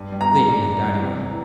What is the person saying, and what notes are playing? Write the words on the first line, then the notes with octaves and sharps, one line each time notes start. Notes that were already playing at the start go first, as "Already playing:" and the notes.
"Lead me to the dining-room."
Already playing: G2
G3
A#5
E3
G2
G2
E3
C3
E3